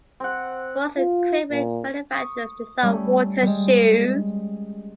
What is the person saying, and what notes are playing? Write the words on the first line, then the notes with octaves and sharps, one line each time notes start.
Sports equipment manufacturers design water shoes.
C4 F#5
F4
A#2
C#6 D#6
G3 A3 C#4
G3 G#3